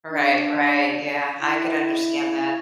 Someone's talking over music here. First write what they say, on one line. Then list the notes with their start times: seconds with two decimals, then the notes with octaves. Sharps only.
Right, right. Yeah. I could understand that.
0.12 D4
1.42 E4